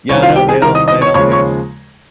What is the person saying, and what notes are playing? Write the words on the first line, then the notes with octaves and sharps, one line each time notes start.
Yeah. I know, they don't they don't the ins
C2 C3 D#3 C#5
F4 F5
G4 G5
G#4 G#5
C2 C3 D#3 A#4 A#5
D#5 D#6
D#5 D#6
C#5 C#6
D#2 C#3 F3 G#3 C#5 C#6
C#5 C#6